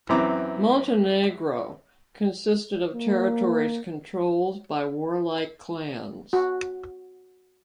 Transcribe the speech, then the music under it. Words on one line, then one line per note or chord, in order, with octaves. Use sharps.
Montenegro consisted of territories controlled by warlike clans.
F#2 E3 C4 E4 A#5 D6
A#3
F#4